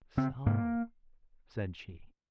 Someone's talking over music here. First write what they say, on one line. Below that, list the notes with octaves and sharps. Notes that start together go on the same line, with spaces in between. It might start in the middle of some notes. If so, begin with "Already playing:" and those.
"So!" said she.
C#3 C4
G#2 A#3